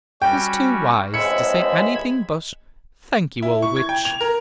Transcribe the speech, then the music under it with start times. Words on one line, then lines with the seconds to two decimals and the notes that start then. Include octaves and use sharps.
He was too wise to say anything but, "Thank you, old witch."
0.22 G3 C#4 F#4 G5
1.14 A1 G#3 C4 B5 E6 G#6 C#7
3.42 E4
3.62 C#6
3.76 G#6
3.89 G5
4.05 F7
4.21 A#4